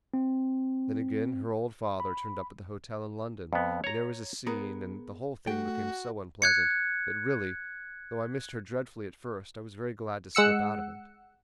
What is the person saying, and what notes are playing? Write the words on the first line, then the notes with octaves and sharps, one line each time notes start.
Then, again, her old father turned up at the hotel in London, and there was a scene, and the whole thing became so unpleasant that really--though I missed her dreadfully at first--I was very glad to slip out of it.
C4
B5
F2 B3
C#5 A#5
B3 G#4 A#4
A3 F#4 G5
F#6 G#6 C#7
G#3 F#5 E6 C#7